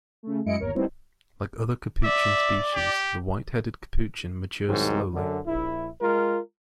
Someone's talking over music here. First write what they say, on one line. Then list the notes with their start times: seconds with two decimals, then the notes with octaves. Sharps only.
Like other capuchin species, the white-headed capuchin matures slowly.
0.23 C#3 A3
0.46 F#2 G#3 E4 D#5 C#7 D7
0.60 G1 D#2 A#4 C#5
0.75 G3 A3 B3 C4 D#4 E4
2.04 D5 E5
2.74 G4
4.68 C2 G#2 D#3 F#3
5.13 F#2 D3
5.46 A#1 E4
6.01 G#3 F4 A#4